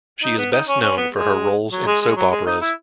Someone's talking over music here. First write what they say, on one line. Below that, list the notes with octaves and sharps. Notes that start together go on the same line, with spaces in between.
She is best known for her roles in soap operas.
D#4
B3
D#4
C#4
C#4
B3
G#3
F#3
G#3
G#3
F#3
G#3
D#4
E4